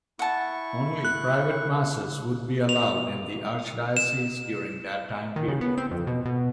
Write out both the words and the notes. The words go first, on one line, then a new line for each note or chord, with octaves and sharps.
Only private masses would be allowed in the archdiocese during that time period.
E4 F#5 A5 C#6
F#6
F7
E7
D#3
C#3
B3
C4
F2
B2
B2